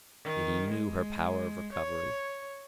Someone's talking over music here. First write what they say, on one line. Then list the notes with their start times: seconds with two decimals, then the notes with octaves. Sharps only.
Yet he knew her power of recovery.
0.24 D#3
0.70 G#3
1.72 C#5